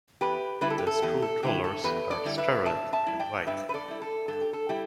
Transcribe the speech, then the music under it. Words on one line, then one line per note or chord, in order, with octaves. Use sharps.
The school colors are Scarlet and White.
E2 G4 B4
D3 G3 E4 B4
A4
G4
A4
E2 G4
A4
D3 G3 E4 G4
A4
E2 G4 B4
A4 D5
D3 G3 E4
B4 E5
G2 E5 A5
E5 A5
G3 E4
D5 G5
G2 B4 E5
B4
A4 D5
G3 E4
A4
G2 A4
G4
A4
G3 E4 G4